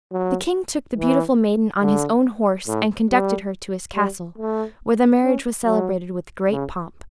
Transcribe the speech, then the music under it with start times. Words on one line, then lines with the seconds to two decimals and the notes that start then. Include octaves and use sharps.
The king took the beautiful maiden on his own horse and conducted her to his castle, where the marriage was celebrated with great pomp.
0.11 F#3
0.97 E3
1.81 D3
2.67 A2
3.10 G3
3.95 G3
4.38 A3
5.23 C#4
5.65 F#3
6.51 C#3